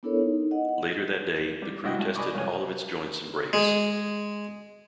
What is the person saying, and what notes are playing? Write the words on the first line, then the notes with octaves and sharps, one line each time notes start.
Later that day, the crew tested all of its joints and brakes.
B3 D4 E4 A4 A#4 C#5
D#4
D#5 F#5
F#5
G3
C2 E4 F#4 D#5 G5
G2 A5
D5 D#5 G#5 B5 C#6 D6
C2 F2 C#5 G#5
G#3